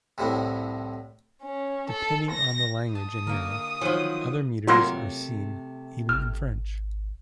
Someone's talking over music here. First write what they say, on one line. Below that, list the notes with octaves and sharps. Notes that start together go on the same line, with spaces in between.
Depending on the language and era, other meters are seen, even in French.
C2 A2 C3
C#4
A4
A#6
A5 D#6
D3 A#3 A#4
D#3 F3 F#3
C3 F#3 A3 A#3 F4 C6
G#1 F6